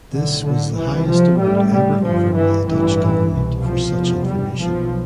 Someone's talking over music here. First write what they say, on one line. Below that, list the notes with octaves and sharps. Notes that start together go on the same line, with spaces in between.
This was the highest amount ever offered by the Dutch government for such information.
B1 A2 D3
D3
C2 C3 E3
F3
A1 A2 G3
G3
G1 G2 F3
E3
A1 G2 E3
C2 B2
F3
F1 E2 B2
G3
B1 B2 F3